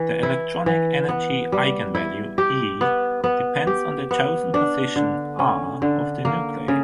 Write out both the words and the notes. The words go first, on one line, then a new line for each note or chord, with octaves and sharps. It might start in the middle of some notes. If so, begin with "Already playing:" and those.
The electronic energy eigenvalue "E" depends on the chosen positions R of the nuclei.
Already playing: E3
E4
E3
B3
G3
E4
G4
B3
B3
G4
B3
D4
D3
C#4
D3
A#3
C#3